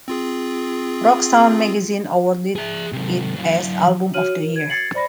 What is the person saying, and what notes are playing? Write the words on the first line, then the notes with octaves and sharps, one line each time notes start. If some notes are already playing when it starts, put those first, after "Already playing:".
Rock Sound Magazine awarded it as "Album of the Year".
C4 F4 G#4
G#4 E5
C3 F#3
F#3 E4
F#4 C#5 F6 D#7 F#7
A#4
G#6
G#6 A6 C7 C#7 F#7
C5 D5 B5 A#6